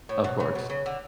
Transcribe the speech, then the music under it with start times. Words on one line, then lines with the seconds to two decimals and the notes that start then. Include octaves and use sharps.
Of course.
0.09 A2
0.24 B2
0.40 C#3
0.55 B2
0.70 C#3
0.86 D3